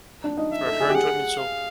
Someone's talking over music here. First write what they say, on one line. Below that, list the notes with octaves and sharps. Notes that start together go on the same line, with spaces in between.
for her enjoyment, so,
D4
D#4
E5
A4
G#4
G4
G#4 F#5
F5